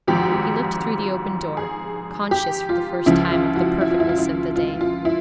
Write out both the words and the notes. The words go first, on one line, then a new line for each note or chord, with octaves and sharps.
He looked through the open door, conscious for the first time of the perfectness of the day.
G#1 G#2 F3 G4
F#4
G4
G#4
G4
F4
C#2 C#3 F3 E4
F4
F#4
E4
F4
E4
F4
E4
F4
F4
E4